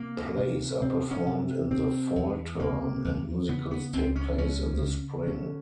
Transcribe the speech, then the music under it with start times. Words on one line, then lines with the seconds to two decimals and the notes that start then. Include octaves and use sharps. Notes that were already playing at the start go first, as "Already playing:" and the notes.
Plays are performed in the fall term, and musicals take place in the spring.
Already playing: C3 A#3
0.37 C3
0.81 C3 C4
1.11 C#4
1.26 C3
1.71 C3 C4
2.16 E2
2.60 C3 A#3
3.05 E2
3.49 C#3 B3
3.71 B3
3.93 C#2 C4
4.16 C#4
4.38 C#2 C#4
4.82 C#3
5.27 D3 C#4